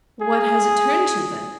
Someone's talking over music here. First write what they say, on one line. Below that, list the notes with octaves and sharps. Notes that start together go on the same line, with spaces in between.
"What has it turned to, then?"
G#4